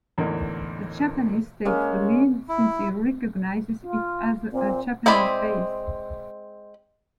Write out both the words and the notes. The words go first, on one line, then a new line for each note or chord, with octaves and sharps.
The Japanese takes the lead, since he recognizes it as a Japanese base.
A1 E2 D3 A#3 D#4
G#3 A#3 C#4
E4
F4
A#2 C4
G#3 C4 E4 D5 B5